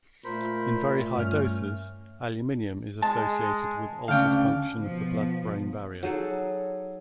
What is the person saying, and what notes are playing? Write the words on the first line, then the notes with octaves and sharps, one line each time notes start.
In very high doses, aluminium is associated with altered function of the blood-brain barrier.
A#2 A3 A#4 C5 B5
G2 C#4 F6
G#3 A5
D2 C#3 D4 F5 G5
B2 F3
F#3 D#4 G#4 A4